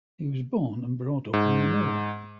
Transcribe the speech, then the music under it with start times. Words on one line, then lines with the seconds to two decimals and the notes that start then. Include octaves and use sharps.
He was born and brought up in Manila.
1.33 G#2